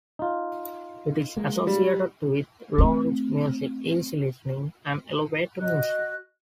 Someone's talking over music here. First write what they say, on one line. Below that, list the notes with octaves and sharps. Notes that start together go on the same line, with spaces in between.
It is associated with lounge music, easy-listening, and elevator music.
D#4 F4
G#3 A#3
G3
A3 C4
F#4 D#5 F#6